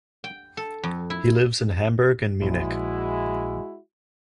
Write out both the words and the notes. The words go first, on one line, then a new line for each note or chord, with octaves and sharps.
He lives in Hamburg and Munich.
G5
A4
F2
E4
A#1 G#3 E4 F#4